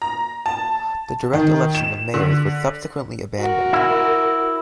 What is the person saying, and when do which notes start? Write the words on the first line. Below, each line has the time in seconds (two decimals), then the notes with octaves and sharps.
The direct election of mayors was subsequently abandoned.
0.02 A#5
0.46 A5
1.33 D#3
1.75 E7
2.14 D3
3.38 F#4 A#4
3.73 E4